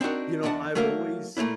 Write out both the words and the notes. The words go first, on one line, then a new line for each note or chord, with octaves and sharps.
you know, I've always
C4 D4 D#4 F#4 A#4
E2 D4 D#5 F#5 A5
F#3 A3 A#3 A#4 F5
A#2 A3 A#3 D4 E4